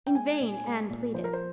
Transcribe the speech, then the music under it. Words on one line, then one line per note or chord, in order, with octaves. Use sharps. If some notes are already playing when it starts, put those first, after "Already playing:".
In vain Anne pleaded.
G5
G#3 G#5
A#2
G#3
A#2
F3 C5
A#4
C5